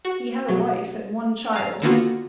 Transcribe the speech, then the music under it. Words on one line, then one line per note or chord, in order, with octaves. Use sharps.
He had a wife and one child.
F#4
B2 F#3
F5 A#5
D3 D#3 A#3 B3 F4 F#4